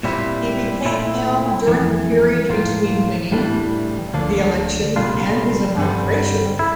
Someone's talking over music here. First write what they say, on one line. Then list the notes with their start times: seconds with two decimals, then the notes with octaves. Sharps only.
He became ill during the period between winning the election and his inauguration.
0.03 A#2 G3 C4 E4
0.85 A#2 A3 C4 E4
1.67 F2 E3 A3
2.49 A2 F3 A#3 F4
3.31 A2 E3 G3 D4
4.14 D2 D3 F3 A#3 D4
4.96 C2 A#2 G3 D4 F4
5.77 G2 D3 G3 C4
6.59 E4